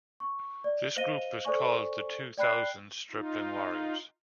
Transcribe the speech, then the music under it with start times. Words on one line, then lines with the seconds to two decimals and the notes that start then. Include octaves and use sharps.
This group was called the two thousand stripling warriors.
0.20 C#6
0.64 D5
0.97 C5 D#5 F5 A#6 D#7 G7
1.45 A4 C5 D5 G#5 C#6
2.38 D5 G5 B5 F#6 C7
3.11 D#4 F4